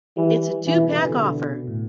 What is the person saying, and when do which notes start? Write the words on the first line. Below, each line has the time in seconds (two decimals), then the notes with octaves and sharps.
It's a two-pack offer.
0.17 E3 G3
0.66 B2 E3
0.79 C3
0.92 D3
1.05 B2
1.17 D3
1.68 A2